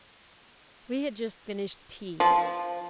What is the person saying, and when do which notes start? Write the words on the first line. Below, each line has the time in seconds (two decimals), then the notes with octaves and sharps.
We had just finished tea.
2.20 F3